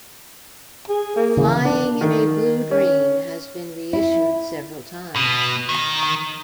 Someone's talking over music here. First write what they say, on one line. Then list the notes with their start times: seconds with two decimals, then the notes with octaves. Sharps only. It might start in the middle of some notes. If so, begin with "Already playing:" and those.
"Flying in a Blue Dream" has been reissued several times.
0.89 G#4
1.16 A#3
1.37 C#3 E3
1.65 D4
2.01 D#3
2.71 C#4
3.93 E4
5.16 B2
5.69 D#3